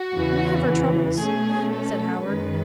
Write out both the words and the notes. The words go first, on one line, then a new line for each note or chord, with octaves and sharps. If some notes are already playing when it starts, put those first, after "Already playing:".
"We have our troubles," said Howard.
Already playing: F#4
E2 C#3 E3
B2 A3 C#4 G#4
A4
F#2 D#3 G#3 C#4 B4